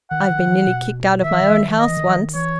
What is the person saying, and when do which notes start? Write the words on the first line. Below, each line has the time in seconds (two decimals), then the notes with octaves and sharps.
I've been nearly kicked out of my own house once.
0.11 D#3 F#5
0.30 D#3
0.48 E3
0.67 B2
1.22 D#3 E5
1.32 E3
1.41 D#3
1.51 E3
1.60 D#3
1.69 E3
1.78 D#3 D#5
1.88 E3
1.97 D#3
2.07 E3
2.16 D#3
2.34 E3 C#5